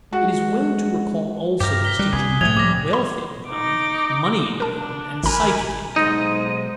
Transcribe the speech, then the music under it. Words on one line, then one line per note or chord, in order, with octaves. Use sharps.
It is well to recall also the distinction between wealth income, money income, and psychic income.
G#3 F#4 F#5
G2 G4 A#4
B6 G7
G3 F#6
C2 G#4
A2 F3 G#3 A3 D#6 G#6 F7
G3 D6 A#6
B5
D#4 D6
D4 A#4 A5
G#1 A#4 G#5 A#5 B5
B1 G#2 G#3 D#4 D#5